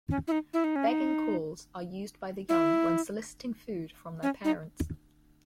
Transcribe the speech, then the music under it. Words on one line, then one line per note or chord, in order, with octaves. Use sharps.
Begging calls are used by the young when soliciting food from their parents.
C#4
E4
D#4
E4
D#4
C#4
D#4
E4
C#4
D#4